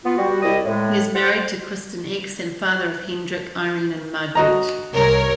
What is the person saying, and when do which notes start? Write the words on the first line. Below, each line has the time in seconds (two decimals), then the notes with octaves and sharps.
He is married to Kristin Ex and father of Hendrik, Irene and Margreet.
0.04 B3 F4
0.17 G3 F#4
0.42 C2 G3 E4 D#5
0.64 A2 G#3
1.15 C5 F#5
4.35 F#4 D#5 A#5
4.93 C2 A#4 C#5